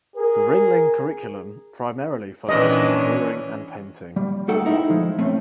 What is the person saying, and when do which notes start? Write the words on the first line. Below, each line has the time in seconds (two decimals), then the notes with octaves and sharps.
The Ringling curriculum primarily focused on drawing and painting.
0.17 G#4 A#4
2.49 A#2 D#3 E3 C#4 D4 D#5
4.16 G3
4.48 A3 D#4 G#4 A4 F#5 G5
4.66 D#4 E4 G#4 C5
4.90 F3 G#3
5.19 A3 C4 C#4